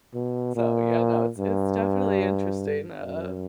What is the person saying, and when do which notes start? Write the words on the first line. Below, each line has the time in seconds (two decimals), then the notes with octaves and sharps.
So, yeah, no, it's it's definitely interesting, uh,
0.14 B2
0.56 A#2
1.38 G2
3.02 F#2